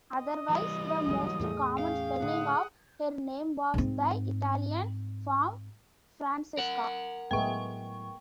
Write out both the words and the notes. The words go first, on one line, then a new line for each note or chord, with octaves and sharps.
Otherwise, the most common spelling of her name was the Italian form, Francesca.
D#5 D#6
E3 G3
G1 C#2 F#3 G#3
E2 A2 A3 G#4
C#4 F5 G5
A2 D3 F#5 D#6
G#2 C4
A#4 F#5
A2 F#3 G#3 A3 B3 G5 C#6